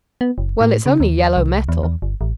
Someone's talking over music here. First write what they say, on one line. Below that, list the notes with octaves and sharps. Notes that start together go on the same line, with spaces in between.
Well, it's only yellow metal.
B3
F#1
A2
C#3
D#2
C2
E2
E2
G1
A1